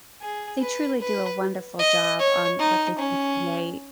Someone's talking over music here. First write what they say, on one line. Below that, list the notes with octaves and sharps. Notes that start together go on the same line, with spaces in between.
they truly do a wonderful job on what they can create,
G#4
B4
B4
D#5
C#5
D#4
C#4